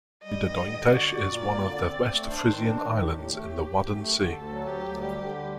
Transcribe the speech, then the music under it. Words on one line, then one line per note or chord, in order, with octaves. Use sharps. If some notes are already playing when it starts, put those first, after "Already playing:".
Zuiderduintjes is one of the West Frisian Islands in the Wadden Sea.
G3 D#5
G2
D3
D3
F#4 D5
F#4
A#2
A#3
D3
C4
C4
A3
D4 C5
D#3
D4 A#4
D#3
A2 G4
A2
A3
A2
F#2
F#2
A3
D3
D2 A4
F#3
D2 G4
D2
G3 G4
D3
G3